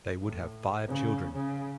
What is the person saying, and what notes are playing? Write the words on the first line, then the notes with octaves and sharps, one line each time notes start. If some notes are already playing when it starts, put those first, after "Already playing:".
They would have five children.
A2
C#3
C#3